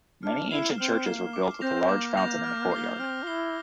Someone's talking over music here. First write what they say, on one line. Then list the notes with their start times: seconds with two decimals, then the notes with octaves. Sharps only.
Many ancient churches were built with a large fountain in the courtyard.
0.23 D4 F6
0.51 E4 C7 E7 G7
0.71 A#3
0.78 C4 F6
1.06 A#3 C7 E7 G7
1.33 D6
1.61 C4 G6 A#6 F7
1.88 A#3 D6
2.17 G6 A#6 F7
2.43 F6
2.71 C7 G7
2.99 C4 F6
3.23 F4
3.27 E4 C7 G7